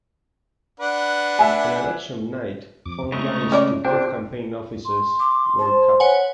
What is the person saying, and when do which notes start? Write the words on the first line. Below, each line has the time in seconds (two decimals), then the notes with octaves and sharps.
On election night phone lines to both campaign offices were cut.
0.80 D4 B4 F#5
1.39 E5 G#5
2.86 F2 D6
3.12 C#3 G#3 A3 A#5 C#6
3.52 C#4 D5 D#5
3.85 C4 D4 F4 G4 C5 G5
4.85 C6
5.20 D6
5.59 C5 A5
6.00 B4 C#5 F#5 G#5